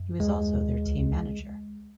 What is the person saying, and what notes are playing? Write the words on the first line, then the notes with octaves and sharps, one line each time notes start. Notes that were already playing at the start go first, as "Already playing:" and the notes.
He also was their team manager.
Already playing: F#2
D#2 G#3
D#2
C#2